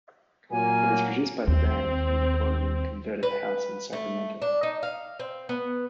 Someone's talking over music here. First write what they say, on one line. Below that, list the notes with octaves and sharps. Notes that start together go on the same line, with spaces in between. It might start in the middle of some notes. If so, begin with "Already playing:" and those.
It was produced by the band and recorded in a converted house in Sacramento.
A#2 F#3 A#3 G#5
D#2 C4
B4
A3
D4
D#4
F5
C4
B3